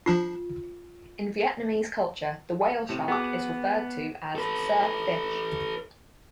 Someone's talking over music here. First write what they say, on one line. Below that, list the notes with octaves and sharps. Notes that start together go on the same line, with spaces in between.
In Vietnamese culture, the whale shark is referred to as "sir fish".
F3 D4 F4 C7
A2 C3
B3 F#4 G#4 D6
A4 B4